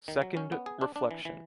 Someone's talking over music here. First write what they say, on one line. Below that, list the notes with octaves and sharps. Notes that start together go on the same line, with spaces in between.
Second reflection.
D#3
F#3
C#4
B3
G#4
D4
D4
E3
E3